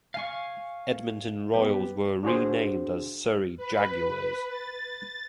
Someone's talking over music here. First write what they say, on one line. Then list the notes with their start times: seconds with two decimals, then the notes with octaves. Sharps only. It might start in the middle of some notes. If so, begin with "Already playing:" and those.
Edmonton Royals were renamed as Surrey Jaguars.
0.14 F5 G#5 C#6
1.53 G3 B3 G4
2.23 D4 F#4 G#4 C5
3.57 B4
4.48 A6